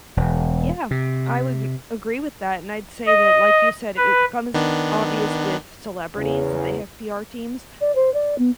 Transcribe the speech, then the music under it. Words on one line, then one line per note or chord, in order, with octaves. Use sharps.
Yeah, I would g agree with that, and I'd say that- like you said- it it becomes obvious with celebrities that they have PR teams,
E1
C3
D#5
B4
D#3 B3 D4
E2 C#3
D5
C5
D5
B3